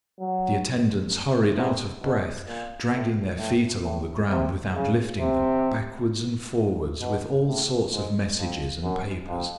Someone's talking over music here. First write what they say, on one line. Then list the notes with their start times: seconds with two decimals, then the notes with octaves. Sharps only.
The attendants hurried, out of breath, dragging their feet along the ground without lifting them, backwards and forwards, with all sorts of messages and papers.
0.20 F#3
1.57 C3
2.02 B2
2.47 A#2
2.92 A2
3.38 A2
3.83 A2
4.29 C3
4.74 C#3
5.20 C3
7.01 B2
7.46 A2
7.92 G#2
8.37 F2
8.83 F#2
9.28 F2